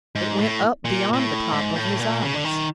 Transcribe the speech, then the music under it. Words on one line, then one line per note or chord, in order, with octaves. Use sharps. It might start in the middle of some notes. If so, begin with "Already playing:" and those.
It went up beyond the top of his eyes.
G#2
A2
A#2
A#2
A2
G#2
A2
A#2
C#3
D3
D#3